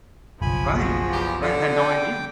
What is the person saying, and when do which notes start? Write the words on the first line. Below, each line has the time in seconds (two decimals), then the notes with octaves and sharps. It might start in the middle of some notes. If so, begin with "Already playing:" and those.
Right, right, I had no idea.
0.42 F#1 B1 F3 G#5 B5
0.77 F#4 G#4
1.13 E2 G4
1.43 D3 E3
1.77 G5 D6